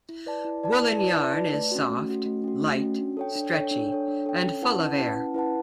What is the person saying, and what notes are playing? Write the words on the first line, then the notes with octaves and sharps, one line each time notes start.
Woolen yarn is soft, light, stretchy, and full of air.
E4
B4 D5 A5
E4
B4 D5 A5
E4
B4 D5 A5
E4
B4 D5 A5
A3
C#4 F#4
A3
C#4 F#4
A3
C#4 F#4
A3
C#4 F#4
D4
A4 C#5 G5
D4
A4 C#5 G5
D4
A4 C#5 G5
D4
A4 C#5 G5
C#4
E4 B4 F#5 A5
C#4
E4 B4 F#5 A5
C#4
E4 B4 F#5 A5